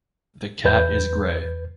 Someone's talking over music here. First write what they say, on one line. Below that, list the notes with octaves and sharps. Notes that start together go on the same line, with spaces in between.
The cat is grey.
E2 B4 G6